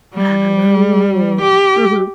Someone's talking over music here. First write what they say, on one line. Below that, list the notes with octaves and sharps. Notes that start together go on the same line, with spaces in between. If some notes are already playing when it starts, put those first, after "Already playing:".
Oh. Mhm.
G3
G4